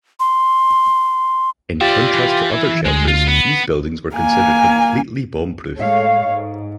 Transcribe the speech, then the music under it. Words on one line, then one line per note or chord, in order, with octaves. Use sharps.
In contrast to other shelters, these buildings were considered completely bomb-proof.
C6
F4 G4 D5 E5
E3
E4
D2 G#3 G#4
F4
B3
A#3 G#5
A2 G#3 A4 C#5 F5
G#2